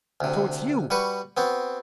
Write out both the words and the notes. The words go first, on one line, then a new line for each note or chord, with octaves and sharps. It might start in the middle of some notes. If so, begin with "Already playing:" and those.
"So it's you!"
D2 C3
G3 F#4 B4 C#6
B3 C4 F#4